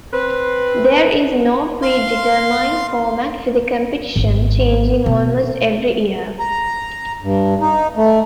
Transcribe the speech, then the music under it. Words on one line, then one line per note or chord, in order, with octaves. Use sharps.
There is no predetermined format for the competition, changing almost every year.
C4 B4
F5 C6
G#1
B2
A#5
G2
D#4
A3